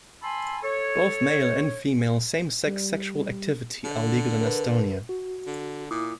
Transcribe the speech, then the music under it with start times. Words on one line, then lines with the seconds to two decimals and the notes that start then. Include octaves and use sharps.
Both male and female same-sex sexual activity are legal in Estonia.
0.23 G#5 A5 B5 C6 E6
0.62 A4 C#5
2.66 G3
3.85 D3
4.41 A#4 B4
5.09 F#4
5.46 D3
5.91 A#2 E4 D6 D#6